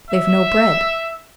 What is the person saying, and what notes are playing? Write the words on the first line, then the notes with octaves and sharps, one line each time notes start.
They've no bread.
E5